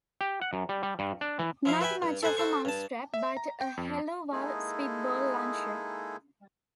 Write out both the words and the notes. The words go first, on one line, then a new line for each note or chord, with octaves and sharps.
Not much of a mousetrap, but a helluva spitball launcher...
G4
F#5
F#2
G3
G3
G2
D4
E3
F3 E4 F5
B4 E5 G5 G#5 B5
G2
A4 C5 F#5 G#5
F#4 A4 C5 C#6
G2 A5
E5
A#5
G5
F2
G#3 A#3 D#4 E4 G#4 A4